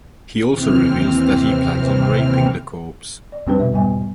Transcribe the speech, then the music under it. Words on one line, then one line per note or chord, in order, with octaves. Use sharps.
He also reveals that he plans on raping the corpse.
D#2 C3 E3 C4 F6
D5
F2 G3 C4 D4 G4 B4
F2 B2 E5
E2 G#2 B2 G3 B3 G#5